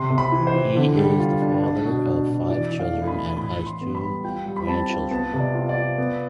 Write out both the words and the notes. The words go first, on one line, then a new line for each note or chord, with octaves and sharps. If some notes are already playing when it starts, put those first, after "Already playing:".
He is the father of five children and has two grandchildren.
Already playing: C3 C6
C3
B5
E3
C5
E3
D3
G3
F4
D4
D4
B2
D4
B2
E3 D5
E3
F5
A3
B5
E3
A2 B5
E3
C6
B3
B5
G3
F4 G5
G3
B5
C4 A5
F4
B3 A5
C3
D5
F4
D5
F4
B3